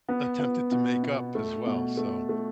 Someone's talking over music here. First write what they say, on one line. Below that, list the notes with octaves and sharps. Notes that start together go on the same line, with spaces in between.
attempted to make up as well, so
B3
B3
B2
B2
A3
B2
A3
A3